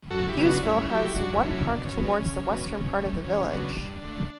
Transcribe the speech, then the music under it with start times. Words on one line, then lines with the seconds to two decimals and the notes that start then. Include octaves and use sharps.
Hughesville has one park towards the western part of the village.
0.11 F#2 F#4 A4
0.29 E4 G4
0.37 C#3 F#3 B3
0.45 D4 F#4
0.63 G2 C#4 E4
0.89 F#3 A3 E4 G4
1.15 F#2 D4 F#4
1.32 C#4 E4
1.42 D3 F#3 A3
1.50 C#4 E4
1.67 B2 D4
1.85 C#4
1.93 F#3 B3
2.03 C#4
2.20 C#3
2.45 F#3 B3
2.71 B2
2.98 A3
3.23 E2 C#4
3.49 C#3 F#3 B3 D4
3.76 G2
4.02 D3 A3